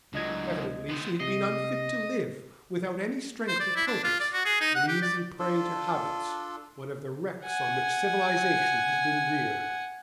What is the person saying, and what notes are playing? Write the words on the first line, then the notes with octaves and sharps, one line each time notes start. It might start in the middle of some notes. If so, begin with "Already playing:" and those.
Evidently she had been unfit to live, without any strength of purpose, an easy prey to habits, one of the wrecks on which civilisation has been reared.
C#2 D3 F#3 D#5 G#6
B3 C5
C3 D#5 C7
C5
D5
E4
D4
F4
D5
F#4
G#4
D#4
F#5
G4
D5
D4 F4 A4
F#5 G#5